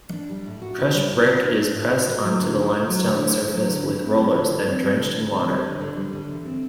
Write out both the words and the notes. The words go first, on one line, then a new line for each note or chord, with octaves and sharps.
Crushed brick is pressed onto the limestone surface with rollers, then drenched in water.
D4
G3
A2
F#4
D4
G3
A2
F#4
D4
G3
A2
F#4
A3
F#3
D3
E4
A3
F#3
D3
E4
A3
F#3
D3
E4
C4
G3
D3
D3
C4
G3
D3
D3
C4
G3
D3
D3
G3
D3
E2
C4